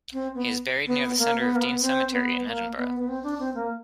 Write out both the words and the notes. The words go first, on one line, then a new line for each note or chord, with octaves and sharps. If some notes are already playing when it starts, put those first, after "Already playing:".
He is buried near the centre of Dean Cemetery in Edinburgh.
C4
B3
B3
A#3
B3
A#3
B3
C4
B3
A#3
B3
B3
C4
D4
C4
A#3